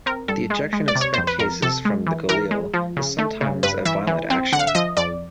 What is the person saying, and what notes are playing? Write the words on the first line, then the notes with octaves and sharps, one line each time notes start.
The ejection of spent cases from the Galil is sometimes a violent action.
C4 A#4
G2 A4
G#3
G#3
D5
C3
C#5
F2 C5
B4
F2 A#4
C3 A4
G#3
E3
E3 A#4
G#3
F3
C#3
A3
C#3
G2 B4
E3 E5
E3
C4
D3 F#5
F5
E5
F3 D#5
F2 D5